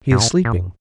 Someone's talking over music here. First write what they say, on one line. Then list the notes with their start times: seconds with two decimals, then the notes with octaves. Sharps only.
He is sleeping.
0.11 G2
0.21 A#2
0.45 A#2